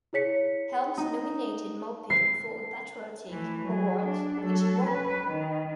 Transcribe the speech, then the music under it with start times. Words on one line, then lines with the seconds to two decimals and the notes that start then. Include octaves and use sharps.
Helms nominated Maupin for a patriotic award, which he won.
0.13 E4 G#4 C#5 B6 C#7
0.98 D#4
2.10 C7
3.30 E3 A3
3.66 F#3 G#4
4.05 D4
4.41 F#3 A4
4.85 C#4 B4
5.25 D#3